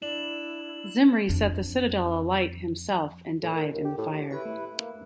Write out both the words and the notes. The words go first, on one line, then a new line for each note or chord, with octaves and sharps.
Zimri set the citadel alight himself and died in the fire.
D4 E4 E7 F#7
F2 D4
A2
D#3
D#2
G4
A2
E4 G4 B4 C#5
A3
A#3
E2 G2